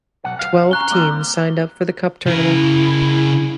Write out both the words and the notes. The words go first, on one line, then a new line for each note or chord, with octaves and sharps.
Twelve teams signed up for the Cup tournament.
B1 F#5
F5
C#4 A#5 F#6 G7
G3 A#3 C4 G7
C#3 E4 A#4